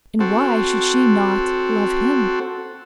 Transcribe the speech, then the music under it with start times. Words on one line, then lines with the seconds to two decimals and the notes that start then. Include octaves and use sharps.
And why should she not--love him?
0.20 C4 F#4 A4